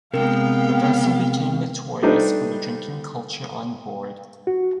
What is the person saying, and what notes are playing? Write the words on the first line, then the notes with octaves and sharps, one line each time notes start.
The vessel became notorious for the drinking culture on board.
C3 G#3 B3 D4 A#4 F5 G5
G3 A3 D4 D#4 B4 C5
F#4